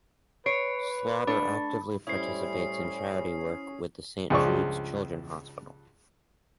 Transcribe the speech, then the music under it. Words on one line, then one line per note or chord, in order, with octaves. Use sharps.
Slaughter actively participates in charity work with Saint Jude's Children's Hospital.
B4 C#5 C7 D7
A3 D4 B5
A2 G3 C#4 E4 C5 D#6 C7
C#2 G2 F3 G#4 D5 C#6